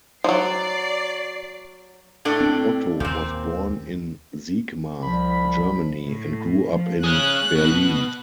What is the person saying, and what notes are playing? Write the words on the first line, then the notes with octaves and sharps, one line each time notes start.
Otto was born in Siegmar, Germany, and grew up in Berlin.
F3 F#3 D5 C7
A2 D4 A4
C4
D#2 A#2 C4
C2 F3 G3 B5
A2
F3
G#4 C#5 F#6
B2